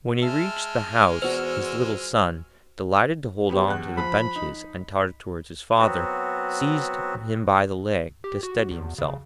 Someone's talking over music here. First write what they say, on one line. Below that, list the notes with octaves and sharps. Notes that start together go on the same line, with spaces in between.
When he reached the house his little son, delighted to hold on to the benches and totter towards his father, seized him by the leg to steady himself.
G#3 E5 A5 E6 F6
E2 F#4 C5 E6
G3 B3 G4
E2 F#6
F3 B5
D#4
F#3 B3 C4 F#4
G4
F#4
E2
C#3